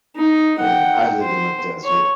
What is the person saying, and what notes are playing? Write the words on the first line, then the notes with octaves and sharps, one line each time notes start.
Cool, I live in the desert.
D#4
F#5 G5
C5
C#5